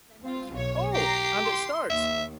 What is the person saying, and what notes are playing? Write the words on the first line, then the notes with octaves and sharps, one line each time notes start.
Oh! And it starts!
C4 F4
B1 C#5
G4 A#5 A#6 C7
C6
D#2 E5